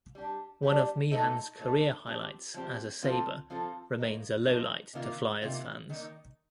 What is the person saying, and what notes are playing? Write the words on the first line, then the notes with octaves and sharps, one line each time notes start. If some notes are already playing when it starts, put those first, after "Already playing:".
One of Meehan's career highlights as a Sabre remains a lowlight to Flyers fans.
G3 D4 G4
G3 D4 G4
A#2 A3 D#4 A4
A#2 A3 D#4 A4
F3 C4 G4
F3 C4 G4
F3 C4 F4 A4
F3 C4 F4 A4
F3 A#3 D#4
F3 A#3 D#4
C3 D#3 A#3 F4
C3 D#3 A#3 F4
D#3 A#3 D#4